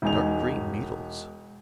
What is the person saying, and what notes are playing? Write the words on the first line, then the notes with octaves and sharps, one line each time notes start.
Dark-green needles!
E1 G#3 D#4 G#5 F7